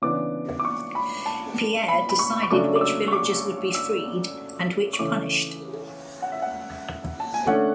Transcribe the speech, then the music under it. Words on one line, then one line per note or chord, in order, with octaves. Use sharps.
Pierre decided which villagers would be freed and which punished.
C#3 E3 B3 D4 D6
D6
C#6
B5
A5
B5
B5
C#6
C#6
C#3 F#3 A3 D4 D6
D6
E6
C#6
D6
E6
C#6
C#3 E3 A3 D6
F#5
E5
F#5
A5
G#5
D3 A3 C#4 F#5